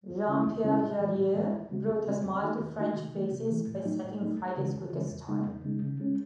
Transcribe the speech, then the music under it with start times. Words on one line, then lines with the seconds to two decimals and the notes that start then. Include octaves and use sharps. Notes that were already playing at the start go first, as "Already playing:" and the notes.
Jean-Pierre Jarier brought a smile to French faces by setting Friday's quickest time.
0.10 D#2
0.28 C#3 G#3 C#4 E4
0.46 D#2
0.64 C#3 G#3 C#4 E4
0.82 A2
0.99 E3 G#3
1.18 A2
1.35 E3 G#3
1.53 D#2
1.71 C#3 G#3 C4 F#4
1.89 D#2
2.06 C#3 G#3 C4 F#4
2.24 E2
2.42 D#3 A3 D#4 F#4
2.60 E2
2.78 D#3 A3 D#4 F#4
2.97 C3
3.14 E3 A3
3.32 C3
3.50 E3 A3
3.67 A2
3.85 F#3 A3 D#4
4.04 A2
4.21 F#3 A3 D#4
4.39 D#2
4.57 C#3 E3 G#3
4.75 D#2
4.92 C#3 E3 G#3
5.10 E2
5.28 C#3 G#3 D#4
5.46 E2
5.64 C#3 G#3 D#4
5.82 C#3
6.00 G#3 C#4